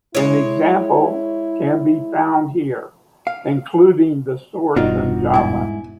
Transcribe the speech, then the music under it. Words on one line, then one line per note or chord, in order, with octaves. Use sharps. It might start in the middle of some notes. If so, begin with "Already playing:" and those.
An example can be found here, including the source in Java.
G#3 E4 C#5
F5
E1 G2 B2 D4 D#4 F4 F#4
G#2 E4 G#5